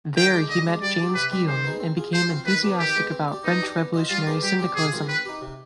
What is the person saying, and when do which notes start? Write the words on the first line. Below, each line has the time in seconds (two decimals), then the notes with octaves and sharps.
There he met James Guillaume and became enthusiastic about French revolutionary syndicalism.
0.16 D#3 G5
0.33 G#3 D4
0.49 D3 D#5
0.66 G#3 D4
0.82 G3 D5
0.98 D4 G4
1.15 C3 B4
1.31 G3 C4 G4
1.47 D#3 C5
1.64 B3 D#4 G#4
1.80 C4
1.97 F4 G#4
2.13 F3 C5
2.30 C4 F4
2.46 D#3 B4
2.63 B3 D4 G4
2.79 D#3 G4
2.96 G#3 B3
3.11 C4
3.28 G4 D5
3.44 B3 D#4
3.61 D4 G4 D5
3.77 B3
3.94 F4 C5 D#5
4.10 G3 F4
4.27 B3 D4 G#4 C5
4.43 G3 G4
4.59 C4 G4 D5
4.76 C3 G#4
4.92 D#3 G#3 C4 F4
5.09 C4 B4
5.25 D#4 G4
5.41 C3